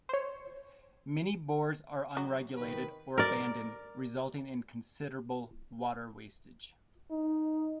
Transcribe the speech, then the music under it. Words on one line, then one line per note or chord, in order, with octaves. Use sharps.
Many bores are unregulated or abandoned, resulting in considerable water wastage.
C5 C#5
F#3
C3 D#3 B4
A#4 D5
D#4